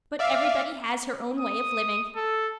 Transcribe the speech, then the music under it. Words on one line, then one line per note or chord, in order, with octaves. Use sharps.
But everybody has her own way of living . . .
D5 E5 F5
D#6
A4